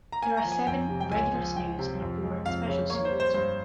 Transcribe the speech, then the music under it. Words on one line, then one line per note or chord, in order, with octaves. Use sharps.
There are seven regular Snoods and four Special Snoods.
A#5
A#3 G#5
A#5
F3
G#5
F2 G5
C3
G5
C#2 G#5
F3
C#2 G5
C3
F2
G#3
F2 F5
C#3
A#3 C#5
C5
G3
C5
G2 C5